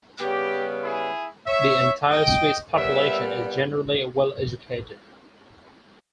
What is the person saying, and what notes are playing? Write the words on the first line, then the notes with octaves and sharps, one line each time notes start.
The entire Swiss population is generally well-educated.
C#3 G3 B3 G4
E4 G#4
C#5 E5
D#5 G5
A#2 G3 B3 C#5 E5